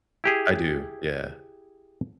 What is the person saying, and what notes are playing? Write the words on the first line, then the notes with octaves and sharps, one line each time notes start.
I do, yeah.
E4 G4 G#4